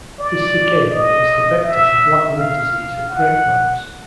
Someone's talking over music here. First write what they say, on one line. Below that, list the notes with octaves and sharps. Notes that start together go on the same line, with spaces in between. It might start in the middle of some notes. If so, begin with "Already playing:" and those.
This cicada is the vector for black wood disease of grapevines.
D5
D#5
E5
F5
F#5